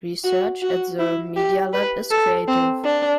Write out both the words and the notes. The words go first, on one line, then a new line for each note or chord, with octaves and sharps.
Research at the Media Lab is creative.
F#4
F#4
E4
G4
B4
A4
C4
D4